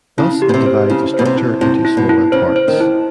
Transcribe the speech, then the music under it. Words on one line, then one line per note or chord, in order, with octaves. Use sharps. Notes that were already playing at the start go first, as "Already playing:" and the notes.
Thus it divides a structure into smaller parts.
C#3 E4
G4
B2
C3
C5
C#3 E4
B2 C5
C3
E4
C3 E4
E4
B2
E4
C#3 C5
C5
D#3
E4